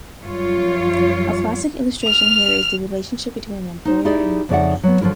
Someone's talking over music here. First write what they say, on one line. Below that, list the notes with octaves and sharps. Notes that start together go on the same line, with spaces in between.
A classic illustration here is the relationship between an employer and employee.
F#2 F3 G3 F4 C#5
F6 F7
D#4 C5
D#4 E4 G4 G#4 D5
F2 C#3 D#4 D5 E5 F#5
F#3 B3
D3 F3 F#3 E4 A#4